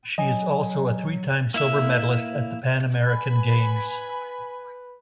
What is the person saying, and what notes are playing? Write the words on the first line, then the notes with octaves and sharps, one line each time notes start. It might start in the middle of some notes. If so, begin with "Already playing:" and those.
She is also a three-time silver medallist at the Pan American Games.
F#3 D#5 G#5
A#3 E4 E5
B4 G#5 B5